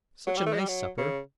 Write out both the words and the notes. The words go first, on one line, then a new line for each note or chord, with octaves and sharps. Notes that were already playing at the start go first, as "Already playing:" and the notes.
Such a nice supper!
F#3
G3
A3
G#3
G3
F#3
C#3